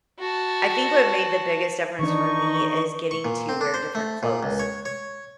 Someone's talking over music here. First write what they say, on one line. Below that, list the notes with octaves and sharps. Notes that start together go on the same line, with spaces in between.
I think what made the biggest difference for me is getting to wear different clothes.
F#4 A5
D#3 E3 D4 D#4 C#6
C#6
A#2
C4
D4
C5
A3
A#2
C#2
C#5
C#5